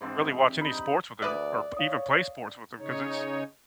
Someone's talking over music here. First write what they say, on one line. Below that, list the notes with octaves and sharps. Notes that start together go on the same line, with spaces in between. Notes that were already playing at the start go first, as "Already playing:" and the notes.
really watch any sports with them, or p even play sports with them, 'cause it's
G#2 E3 C4 D4
G4
D#4 B5
D2 B4 D5 E5 D#6 F#6
C#5 F5 D#6
C#3 D#4 C#5